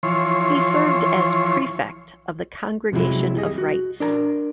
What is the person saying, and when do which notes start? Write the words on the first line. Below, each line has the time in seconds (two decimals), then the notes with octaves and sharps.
He served as Prefect of the Congregation of Rites.
0.03 E3 F3 C#5 C6
2.92 F2 C3 F#3 G#3 E4
3.37 G3 G#4 D#5
3.58 F#4
4.00 D4 A#4 A5 A#5